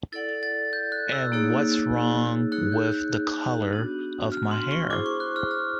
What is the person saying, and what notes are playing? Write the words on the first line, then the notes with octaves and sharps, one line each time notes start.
And what's wrong with the colour of my hair?
E4 A4 D5 F#5 A6
A6
G6
F#6
E6
A#3 D#4 G#4 C#5
D#4 G#4 C#5 F#6
G6
F#6
B3 D4 F#4
F6
C6
C#6
E4 G#4 C5 D6
C#6
F#6
F6
F6